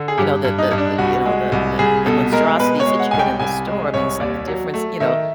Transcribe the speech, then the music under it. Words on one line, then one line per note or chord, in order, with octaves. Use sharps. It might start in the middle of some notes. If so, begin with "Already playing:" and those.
you know, the the the you know, the the the monstrosities that you get in the store, I mean, it's like the difference you know,
Already playing: D3
G#4
G2 G4
G2
D#4
G2
D4
C2 F#4
G#3
C2
C2 G#4
B2 A4
G#3 A#4
B2 B4
C#5
G#3
F#5
C2 G#5
G5
C2 G#5
G#3
C2 C#5
D#2 D5
F#3
A3
D#3 E5